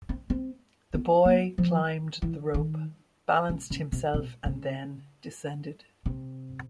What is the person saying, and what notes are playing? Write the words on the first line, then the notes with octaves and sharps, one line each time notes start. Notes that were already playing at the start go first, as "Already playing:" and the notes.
The boy climbed the rope, balanced himself and then descended.
C4
C4
B3
A#3
F3
E3
D#3
C#3
C#3
C3
C3
C#3
C3